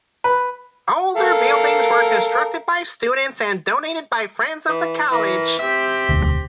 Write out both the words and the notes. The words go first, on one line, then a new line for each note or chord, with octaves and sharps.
Older buildings were constructed by students and donated by friends of the College.
B4
A4 A#4 F5
E3
E3 A#4
C4 G4 E5
E1 D2